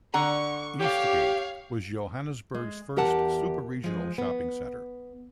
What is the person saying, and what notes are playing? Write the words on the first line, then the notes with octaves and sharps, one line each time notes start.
Eastgate was Johannesburg's first 'super-regional' shopping centre.
D3 F#5 A#5 C#6
G4 C#5 F5
G#3
E2 G4 A#4 F#5 A5
F3 G#3
B3